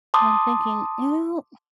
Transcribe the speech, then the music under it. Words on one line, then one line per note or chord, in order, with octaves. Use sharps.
and I'm thinking, "Ew!"
A5 C6 D6 D#6